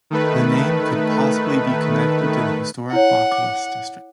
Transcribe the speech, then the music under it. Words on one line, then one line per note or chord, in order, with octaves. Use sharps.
The name could possibly be connected to the historic Baucalis district.
D#3 A3 B4
E4 C#5 F#5
D6